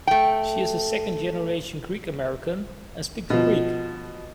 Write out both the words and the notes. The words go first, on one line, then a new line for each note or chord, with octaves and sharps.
She is a second-generation Greek-American and speaks Greek.
A3 G5
B2 F3